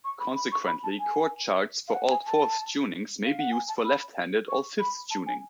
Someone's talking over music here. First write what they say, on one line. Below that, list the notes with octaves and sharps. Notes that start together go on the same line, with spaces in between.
Consequently, chord charts for all-fourths tunings may be used for left-handed all-fifths tuning.
C#6
B5
B5
C#6
B5
A5
G#5
F5
F#5
G#5
A5
F5
F#5
G#5
A5
B5
C#6
B5
A5
G#5